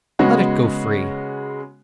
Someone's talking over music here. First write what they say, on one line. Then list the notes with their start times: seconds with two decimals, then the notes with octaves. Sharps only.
Let it go free.'
0.19 C#3 G#3 B3 C#4 F#4